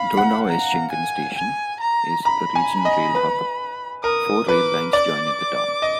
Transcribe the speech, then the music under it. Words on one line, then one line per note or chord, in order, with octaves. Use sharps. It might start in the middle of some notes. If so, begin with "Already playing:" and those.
Donaueschingen station is a regional rail hub; four rail lines join in the town.
Already playing: F5 B5
F#5
A#5
G#5
G#5
A#5
A#5 B5
G#5
D#5
B4
A#4 D#6
B4 D6
D5 D6
D#5